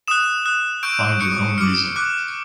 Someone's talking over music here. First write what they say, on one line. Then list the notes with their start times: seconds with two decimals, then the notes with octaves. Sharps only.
Find your own reason.
0.08 D#6 F#6 E7
0.46 D#6 F#6
0.83 C#6 E6 G6 D7
1.20 C#6 F#6 C#7
1.58 D6 F6 C#7
1.96 D6 F#6